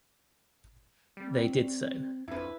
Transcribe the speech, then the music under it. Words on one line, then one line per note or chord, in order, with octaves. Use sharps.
They did so.
G3 C4
F2 D4 E4 B4